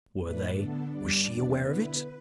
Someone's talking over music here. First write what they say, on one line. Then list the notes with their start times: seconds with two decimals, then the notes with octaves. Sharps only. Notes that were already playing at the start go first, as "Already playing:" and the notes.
"Were they--was she--aware of it?"
0.21 A2 A3 D4 B4
0.56 D3 B3 D4 A4
0.91 G2 G3 D4 D5
1.27 E2 B2 B3 D4
1.61 D3 B3 E4 B4